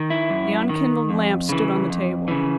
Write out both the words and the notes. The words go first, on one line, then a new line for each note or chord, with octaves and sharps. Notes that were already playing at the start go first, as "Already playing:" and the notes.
The unkindled lamp stood on the table.
Already playing: D#3
E4
F#2
D#3
F2
C#3 E3
F2
C#3 E3